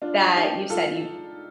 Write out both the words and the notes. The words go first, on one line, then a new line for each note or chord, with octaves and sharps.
that you said you
D4 F4
D#4 G4
F4 A4